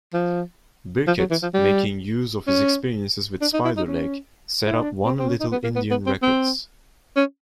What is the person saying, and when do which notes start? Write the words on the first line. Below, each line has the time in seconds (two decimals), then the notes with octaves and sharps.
Birkett, making use of his experiences with Spiderleg, set up One Little Indian Records.
0.14 F3
1.07 F3
1.19 F#3
1.31 E3
1.43 F3
1.54 G3
2.47 C#4
3.41 D4
3.54 D#4
3.65 E4
3.77 D#4
3.88 C#4
4.66 E4
4.74 D#4
4.82 D4
5.05 C4
5.19 C4
5.29 C#4
5.40 D#4
5.52 B3
5.64 A#3
5.76 B3
5.91 B3
6.07 C4
6.22 C4
7.16 C#4